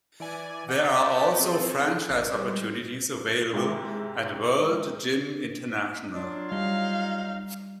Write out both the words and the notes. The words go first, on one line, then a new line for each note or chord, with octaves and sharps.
There are also franchise opportunities available at World Gym International.
E3 D5 G#5
D#5 F#5 D6 G6 A6 B6
C4 G#4 A4
G1
G3 G#3 G4 C5
G#2 C3 G#3 E4 G4
F#3 D4 F4
G3 D#4 F5